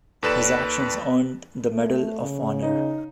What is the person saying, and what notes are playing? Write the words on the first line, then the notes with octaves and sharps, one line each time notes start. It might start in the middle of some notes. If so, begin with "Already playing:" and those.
His actions earned the Medal of Honor.
D#2 A4 B4 D5 E7
A3
C#3
D#4